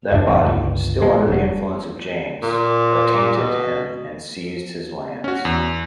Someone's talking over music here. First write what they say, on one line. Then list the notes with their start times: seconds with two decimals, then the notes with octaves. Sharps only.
That body, still under the influence of James, attainted him and seized his lands.
0.12 F#1 G2 C3 D4
0.26 F#1 E2 A2 C4
0.42 G1 C#2
1.02 A#1 G#3
1.28 F1 F#3
2.43 A#2
3.38 B2
5.24 C#4 F#4
5.45 E2